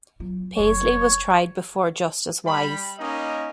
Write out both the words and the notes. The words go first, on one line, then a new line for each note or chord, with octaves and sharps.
Peisley was tried before Justice Wise.
F#3 F4
F1 F#3 C#5
G3 B5
A#3 C#4 D#4 D#5